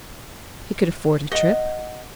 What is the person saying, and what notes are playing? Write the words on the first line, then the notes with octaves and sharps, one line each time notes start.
He could afford a trip.
D#5 F#5